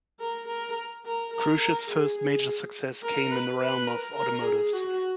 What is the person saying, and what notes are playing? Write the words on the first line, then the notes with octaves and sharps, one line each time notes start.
Cruce's first major success came in the realm of automotives.
A#4
A#4
A#4
A#4
A#4
G#4
G#4
A#4
B4
B4
A#4
A#4
G#4
F#4